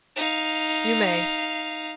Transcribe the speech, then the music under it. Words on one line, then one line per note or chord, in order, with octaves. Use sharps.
"You may."
D#4 F5